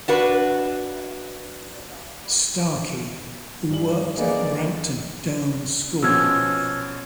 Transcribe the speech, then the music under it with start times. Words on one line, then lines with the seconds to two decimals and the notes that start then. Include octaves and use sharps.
Starkey who worked at Brampton Down School.
0.08 D4 F#4 B4
3.70 G2 E3 F#7
4.17 A3 A#3 G#4 B4 D5 D#5
6.02 B2 F3 C#4 E6 F6 G#6